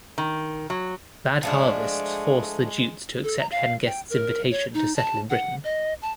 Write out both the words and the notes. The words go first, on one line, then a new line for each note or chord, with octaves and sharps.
Bad harvests force the Jutes to accept Hengest's invitation to settle in Britain.
D#3
F#3
F3 G#3 A3 D4
A4
A#5
F5
G5
A#4
C#5
D#4
A5
F#5
D#5
A5